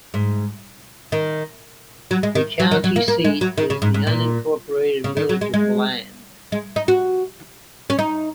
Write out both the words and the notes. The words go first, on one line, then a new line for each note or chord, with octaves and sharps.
The county seat is the unincorporated village of Bland.
G#2
D#3
F#3
G#3
D#3
F#3
D#3
F#3
A#3
A#3
G#3
F#3
D#3
C#3
G#2
G#2
A#2
C#3
D#3
F#3
G#3
G#3
G#3
D#4
F#4
C#4
D#4